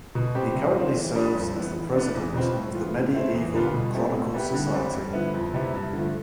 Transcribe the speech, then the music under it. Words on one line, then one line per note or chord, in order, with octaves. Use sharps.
He currently serves as the president of the Medieval Chronicle Society.
B2
G3 C4 G4
C3
F3 C4
E3
G3 D4
F2
E3 B3
E3
B3 D4
E2
B2 G3 C4 F4
A2
E3 B3 F4
A2
F3 A3 C4 E4
E2
D3 G3 B3 F4
B2
A3 C4 E4 G4
A2
G3 B3 E4 G4
D3
G3 C4
G2
D3 F3 B3 E4
F2
C3 G3 B3 E4
G2
D3 F3 A3